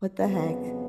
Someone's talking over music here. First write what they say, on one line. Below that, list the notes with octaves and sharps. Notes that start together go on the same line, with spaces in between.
What the heck?
F2 C#3 F#3 B3